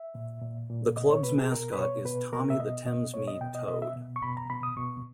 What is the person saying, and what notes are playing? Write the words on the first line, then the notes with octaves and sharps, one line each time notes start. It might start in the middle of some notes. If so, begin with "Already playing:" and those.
The clubs mascot is Tommy The Thamesmead Toad.
Already playing: E5
A#2
A#2
A#2
B2 D#5
C#5
B2 B4
G#4
B2 A#4
B4
B2 C#5
B2 B4
B2 A#4
E5
B2 D#5
B2 D#5
B2 C#5
D#5
B2 G5
D#5
B2 D#5
E5
B2
C#6
B2 B5
A#5
B2 B5
D#6
B2 C#6